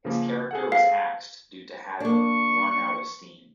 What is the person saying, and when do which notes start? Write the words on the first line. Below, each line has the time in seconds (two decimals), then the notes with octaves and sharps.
His character was axed due to having 'run out of steam'.
0.05 C#3 F3 A#3
0.51 G#4 A4 F#5
0.72 F5
2.00 A#3 D4 C#6